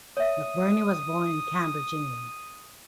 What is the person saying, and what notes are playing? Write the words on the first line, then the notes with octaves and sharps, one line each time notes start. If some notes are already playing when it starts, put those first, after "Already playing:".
McBurney was born in Cambridge, England.
C#5 E5 D#6